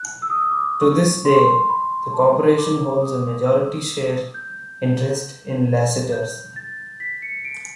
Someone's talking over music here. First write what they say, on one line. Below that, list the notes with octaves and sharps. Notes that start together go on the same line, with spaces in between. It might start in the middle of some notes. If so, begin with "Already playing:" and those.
To this day, the Corporation holds a majority share interest in Lassiter's.
Already playing: F#6
E6
D#6
E6
D6
C#6
C6
C#6
C6
B5
A5
D6
D#6
E6
G6
G6
A6
B6
C#7
D7